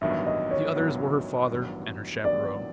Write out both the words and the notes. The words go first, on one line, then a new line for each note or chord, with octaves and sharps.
The others were her father and her chaperone.
A1 G2 D#3 F#3 B3 E5
D#5
C#5
A1 G2 D#3 F#3 B3
A1 G2 D#3 F#3 B3
A1 G2 D#3 F#3 B3 D5